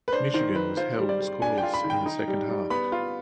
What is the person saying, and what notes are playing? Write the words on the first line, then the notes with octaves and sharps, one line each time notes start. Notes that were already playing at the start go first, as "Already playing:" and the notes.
Michigan was held scoreless in the second half.
B4
D4 C5
D#3 C5
D#3 B4
F4 C5
G3
D5
G3
D4 G#5
G5
F4
B5
D#3
G5
D#4
G3
G3
B3 B5
F4